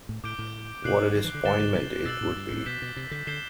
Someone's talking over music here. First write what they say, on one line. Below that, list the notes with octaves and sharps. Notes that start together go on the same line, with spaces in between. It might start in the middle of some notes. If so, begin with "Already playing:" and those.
What a disappointment it would be!
A2
A2 D6 G6 D7 G7
A2
B2 F#6 C7 F#7
D3
E3
D3
D3 A6 E7 G7
D3
C3
B2 E6 A6 C7 F#7
A2
G2
A2
B2 E6 G6 B6 E7 G7
B2
C3
D3
D3 G6 C7 E7 G7